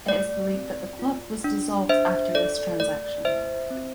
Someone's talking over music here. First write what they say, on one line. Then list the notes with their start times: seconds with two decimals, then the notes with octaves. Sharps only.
It is believed that the club was dissolved after this transaction.
0.08 A3 D5
0.54 C4
0.99 F4
1.44 D4
1.89 D4 C5 E5
2.35 A4 D5
2.80 A3 D5
3.25 E4 C5 E5
3.71 C4